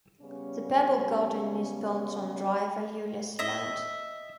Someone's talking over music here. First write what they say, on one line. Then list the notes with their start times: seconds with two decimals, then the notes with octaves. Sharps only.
The Pebble Garden is built on dry valueless land.
0.21 C#3 G3 B3 C#4
3.39 D#5 E5